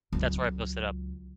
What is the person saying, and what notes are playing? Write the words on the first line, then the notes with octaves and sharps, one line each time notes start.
That's where I posted up.
C#2 F#3